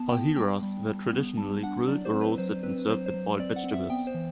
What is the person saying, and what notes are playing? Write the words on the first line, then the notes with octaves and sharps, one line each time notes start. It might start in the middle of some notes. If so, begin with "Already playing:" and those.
Alheiras were traditionally grilled or roasted and served with boiled vegetables.
Already playing: B3 A5
B3 G5
G3 G5
G3
G3
B3
G3 A5
D4 F#5
F#3 D5
C5
C4
B4
F#3 C5
C4 B4
F#3 C5
C5
F#3
C4 D5
F#5
C4
E5
B3 G5
C5
E3